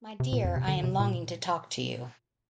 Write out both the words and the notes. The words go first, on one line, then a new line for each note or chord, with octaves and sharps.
My dear, I am longing to talk to you.
C3
A#2
F2
C3
D3
C3
A#2